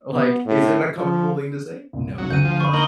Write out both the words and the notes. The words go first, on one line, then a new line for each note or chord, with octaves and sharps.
Like, is it a comfortable thing to say? No, but,
B3
A2
F3
C2 A#2
C2 G#2 F#3
D2 G6 D#7
F3
B5 C#6
A#3 D#4 F#7 G7